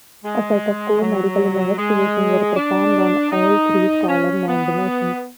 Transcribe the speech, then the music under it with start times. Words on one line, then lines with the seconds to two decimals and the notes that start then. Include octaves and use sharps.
A set of core medical investigations were performed on all three Skylab manned missions.
0.24 G#3
1.01 F#3
1.78 G#3
2.56 D4
3.32 D#4
4.08 C#4
4.48 B3